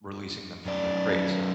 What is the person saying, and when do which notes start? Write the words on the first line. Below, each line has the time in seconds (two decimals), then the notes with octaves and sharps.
releasing them from their crates,
0.66 F#2 D5